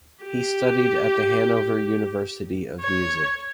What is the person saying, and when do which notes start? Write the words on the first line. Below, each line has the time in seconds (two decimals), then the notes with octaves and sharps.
He studied at the Hanover University of Music.
0.24 G4
2.81 C#5